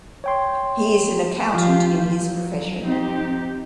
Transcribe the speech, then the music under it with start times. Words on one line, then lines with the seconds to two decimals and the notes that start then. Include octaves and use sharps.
He is an Accountant in his profession.
0.24 C#5 G5 C6
1.55 F3 F4 G4
2.22 F#3
2.87 C4 D#4 G4